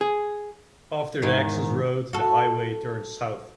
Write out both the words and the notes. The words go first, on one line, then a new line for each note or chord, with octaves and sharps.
After the access road, the highway turns south.
G#4
E2 G#2 D#3
F#4 A4